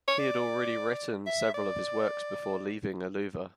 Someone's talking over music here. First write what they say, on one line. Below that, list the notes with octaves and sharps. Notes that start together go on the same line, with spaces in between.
He had already written several of his works before leaving Aluva.
C#5
D5
E5
D5